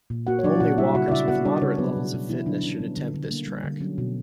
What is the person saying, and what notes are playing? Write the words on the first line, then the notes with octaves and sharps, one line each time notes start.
Only walkers with moderate levels of fitness should attempt this track.
A#2
A#3 F#4 F#5
C#5
F#3 D4 D5
A#2 F#4 F#5
G3 E4 E5
C#3 F#4 F#5
D5
C#3 E4 E5
B3 F#4 F#5
G3 D4 D5
C#3 C#4 C#5
F#3 B3 B4
B2
B2
E3 B3 E4
D3 F#3 D4
D4
B2 C#4
G3 B3
D3
D3
A#3
G3
D3
F#3 C#4
B2